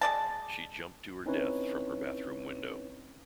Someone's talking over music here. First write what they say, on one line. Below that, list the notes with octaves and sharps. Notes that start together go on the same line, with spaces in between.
She jumped to her death from her bathroom window.
G#3 D5 A5
C4 C#4 D#4 E4 B4 C#5